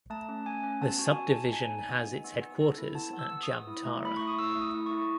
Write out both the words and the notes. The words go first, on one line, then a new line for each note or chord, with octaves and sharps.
The subdivision has its headquarters at Jamtara.
A3 A5
C#4
A3 G#5
C#4
B3 A5
F#4
G#5
B3
A5
D#4
D#4 G#5
D#4
B3
D#4
B3
B3
A4
E4
B3 A5
B3
E6
B3
D#6
B3
E4
A3
E4 B5
A3 C#6
D#6
E4 E6
A3
D#6
E4
E4 C#6